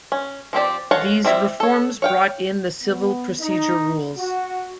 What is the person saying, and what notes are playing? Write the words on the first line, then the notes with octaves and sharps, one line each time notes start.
These reforms brought in the Civil Procedure Rules.
C#4
F3 C4 G4 D5
G#3 A4 C#5 F5 F#5
G3 C4 E4 E5
A4 C#5
C#5 F5 G5
B3
D#4
F#4